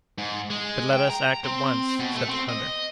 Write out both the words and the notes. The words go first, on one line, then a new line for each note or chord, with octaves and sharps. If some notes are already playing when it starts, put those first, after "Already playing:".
"But let us act at once!" said the hunter.
G#2
G#3
G5
A#5
C4
B2
A3
C4
D#5